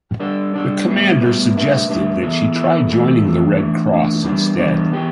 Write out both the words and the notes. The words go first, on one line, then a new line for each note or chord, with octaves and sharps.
The commander suggested that she try joining the Red Cross instead.
G3 D4 A4 D5
G3 D4 A4 D5
A2 G3 B3 E4 B4
A2 G3 B3 E4 B4
A2 G3 D4 B4 E5
A2 G3 D4 B4 E5
E3 B3 E4 A4 E5
E3 B3 E4 A4 E5
E2 E3 A3 E4 A4
E2 E3 A3 E4 A4
E3 A3 D4
E3 A3 D4
E2 E3 G3 B3 D4
E2 E3 G3 B3 D4
E3 B3 G4